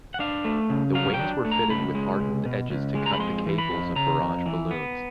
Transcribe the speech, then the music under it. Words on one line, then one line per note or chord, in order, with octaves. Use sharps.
The wings were fitted with hardened edges to cut the cables of barrage balloons.
F#5
D4 F5
A3
C#3
F#3 F5
G5
D4
A3
A#5
C#2 B5
G#3
C#2
B2
C#2
G#3
A#5
B5
F2 C6
E3
B5
F2
C#3 A#5
F2
E3
B3